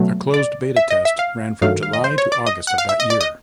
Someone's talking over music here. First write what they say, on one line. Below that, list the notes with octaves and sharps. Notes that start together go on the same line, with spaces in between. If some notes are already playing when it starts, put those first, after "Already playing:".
A closed beta test ran from July to August of that year.
Already playing: B2 F#3 A3
D5
E5
D#5
E5
F5
G2 D#3 F#3 A3 F5
F5
D#5
C5
C#5
D5
D#5
F#5
F5
E5
D#5
D5
D#5